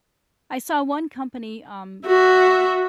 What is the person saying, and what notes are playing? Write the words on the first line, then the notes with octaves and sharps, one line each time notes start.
I saw one company, um,
F#4 E5